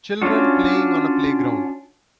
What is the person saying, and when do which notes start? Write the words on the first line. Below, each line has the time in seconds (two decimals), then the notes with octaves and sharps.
Children playing on a playground.
0.22 C#4 D4 F4 F#4